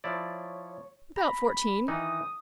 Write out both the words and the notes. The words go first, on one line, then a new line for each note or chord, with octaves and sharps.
"About fourteen."
F3 E4 C#5 D5
A#5 B5
D#3 E3 D#4 D#6